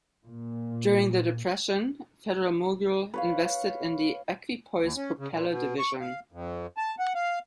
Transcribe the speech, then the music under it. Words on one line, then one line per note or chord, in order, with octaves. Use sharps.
During the depression, Federal-Mogul invested in the Equi-Poise propeller division.
A#2
B4 C#5 F5
D#2
C#4
C#3
A#2
B2
C#6
F5
F2
A5
F#5
F5